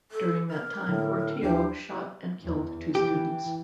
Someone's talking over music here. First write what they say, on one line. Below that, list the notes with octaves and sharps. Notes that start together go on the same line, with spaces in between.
During that time, Portillo shot and killed two students.
A4
A#4 F6
A2 D3
D#2 E3 D4 G4 C7
E2
E3 G4